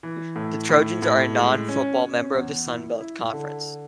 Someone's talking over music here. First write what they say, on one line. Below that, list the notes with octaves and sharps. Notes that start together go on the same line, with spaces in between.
The Trojans are a non-football member of the Sun Belt Conference.
E3
A2
A2
A2
G#3
C#4
C#4
E2
E4
E4
D3